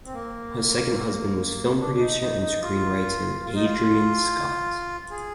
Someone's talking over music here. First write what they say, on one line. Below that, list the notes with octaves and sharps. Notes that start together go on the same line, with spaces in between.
Her second husband was film producer and screenwriter Adrian Scott.
C4
A#3
D4
D4
D#4
D#4
D#4
F4
F4
D#4
F4
G#4